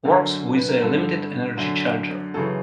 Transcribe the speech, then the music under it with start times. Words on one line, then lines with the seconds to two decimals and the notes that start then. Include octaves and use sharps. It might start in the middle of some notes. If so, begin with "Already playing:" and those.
Works with a limited energy charger.
0.05 F#2 D3 A#4
0.56 B4
0.69 A#4
0.82 G2 D3 A4
1.57 F#2 D3
2.34 F#2 C#3 E3 A4